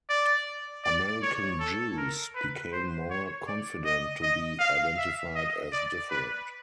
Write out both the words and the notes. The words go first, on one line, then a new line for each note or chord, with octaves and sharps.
American Jews became more confident to be identified as different.
D5
D5
C#5
A4
A#4
B4
C5
C#5
D5
D#5
D#5
F5
E5
D#5
D5
B4